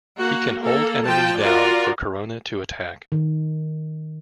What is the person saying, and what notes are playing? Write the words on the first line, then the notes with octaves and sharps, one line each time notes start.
He can hold enemies down for Corona to attack.
A#3 F#4
A#3 A4
F3 G5 A5
F4 F#4 A#4 D5
D#3